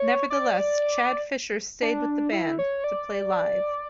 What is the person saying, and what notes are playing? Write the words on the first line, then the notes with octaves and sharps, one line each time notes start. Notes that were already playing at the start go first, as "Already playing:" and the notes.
Nevertheless, Chad Fischer stayed with the band to play live.
Already playing: C#5
D5
D4
E4
C#5
D5